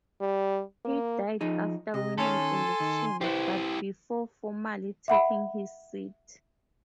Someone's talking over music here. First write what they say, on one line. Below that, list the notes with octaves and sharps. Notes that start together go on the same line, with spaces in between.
He died after winning election, but before formally taking his seat.
G3
A#3
F3 D#4 G#4
C3 D#5
D#3 C#4 A4 C#5 G#5 C6
D#3
E4 G4 B4 C5
E5 F#5 B5